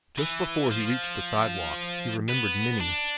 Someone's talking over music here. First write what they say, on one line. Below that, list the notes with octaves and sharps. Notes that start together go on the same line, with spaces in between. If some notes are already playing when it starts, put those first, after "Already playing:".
Just before he reached the sidewalk, he remembered Minnie.
E3
F3
B3
D4